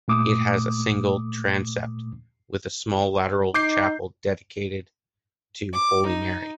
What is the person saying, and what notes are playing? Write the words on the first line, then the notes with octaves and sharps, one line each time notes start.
It has a single transept, with a small lateral chapel dedicated to Holy Mary.
A#2 A3 D6 D#6
D#4 D6 G6 C7
D6
D#4